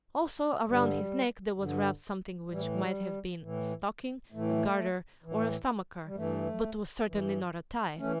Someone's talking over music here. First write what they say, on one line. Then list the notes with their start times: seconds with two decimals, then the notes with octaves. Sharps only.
Also, around his neck there was wrapped something which might have been a stocking, a garter, or a stomacher, but was certainly not a tie.
0.67 G2 D3 G3
1.58 G2 D3
2.50 A2 E3 G3
2.71 G3
3.42 A2 E3
4.32 A2 E3 A3
5.24 A2 E3
6.06 G3
6.15 G2 E3 A3
7.07 G2 E3
7.98 E3 A3 C#4